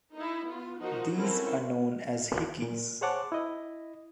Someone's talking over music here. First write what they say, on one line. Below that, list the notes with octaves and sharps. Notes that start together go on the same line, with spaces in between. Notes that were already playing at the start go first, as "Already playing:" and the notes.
These are known as "hickeys".
D#4 E4
B3 F4
F3 D#4 F#4 A#4
C4 C#4 E4 F#4 A4 A#4
A#2
G#4 C5 C#5 F#5 A5 D6
E4 D#5